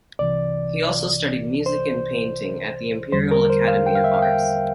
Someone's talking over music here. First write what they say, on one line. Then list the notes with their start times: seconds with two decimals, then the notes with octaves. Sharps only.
He also studied music and painting at the Imperial Academy of Arts.
0.19 C2 C3 E3 D5
1.66 C5
3.12 E2 D3 G3 C5
3.31 A#4
3.50 C5
3.68 F5
3.86 G5
3.95 F5
4.04 E5
4.14 F5
4.22 G5